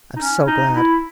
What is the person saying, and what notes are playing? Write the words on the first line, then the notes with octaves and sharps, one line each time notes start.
I'm so glad.
D#4
C#4
D#4
E4